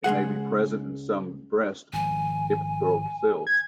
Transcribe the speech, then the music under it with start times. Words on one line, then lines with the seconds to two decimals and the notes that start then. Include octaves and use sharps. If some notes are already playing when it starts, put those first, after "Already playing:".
It may be present in some breast epithelial cells.
0.04 C#2 G#3 G#4 F#5
1.93 G#1 F3 G#5
3.47 G#6